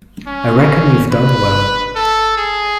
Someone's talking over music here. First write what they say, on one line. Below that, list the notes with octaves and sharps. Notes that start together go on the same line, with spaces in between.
I reckon you’ve done well.
C#4
B4
A4
G#4